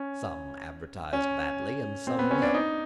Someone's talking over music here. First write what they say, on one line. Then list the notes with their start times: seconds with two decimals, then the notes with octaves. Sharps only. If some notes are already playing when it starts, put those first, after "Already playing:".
Some advertised badly and some well.
Already playing: C#4
1.13 C#4
2.07 C4
2.19 B3
2.31 C#4
2.42 D4
2.54 D#4